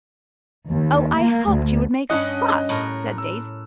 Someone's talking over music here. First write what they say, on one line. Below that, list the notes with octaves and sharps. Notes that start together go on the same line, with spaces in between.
"Oh, I hoped you would make a fuss!" said Daisy.
D#2
A#3
D2
G2 C#4 D#5 F#5 D#6 F#6
A2 A#4
E6